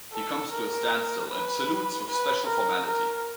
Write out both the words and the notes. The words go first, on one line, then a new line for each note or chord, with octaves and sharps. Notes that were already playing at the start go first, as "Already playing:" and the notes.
He comes to a standstill and salutes with special formality.
A4
A#4
B4
B4
A#4
A#4